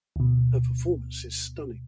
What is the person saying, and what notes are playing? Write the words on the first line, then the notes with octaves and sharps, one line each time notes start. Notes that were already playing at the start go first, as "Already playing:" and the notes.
Her performance is stunning.
D2 B2